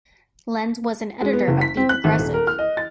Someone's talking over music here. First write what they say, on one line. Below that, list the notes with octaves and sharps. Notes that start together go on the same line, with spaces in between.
Lens was an editor of "The Progressive".
G#3
B3
F#1
B6
C4
F#6
G#1
D#1
A#4
F6
D#5
A6